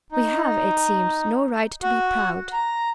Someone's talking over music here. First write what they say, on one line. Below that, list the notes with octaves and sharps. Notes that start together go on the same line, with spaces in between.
"We have, it seems, no right to be proud."
D#4
F#4
A#5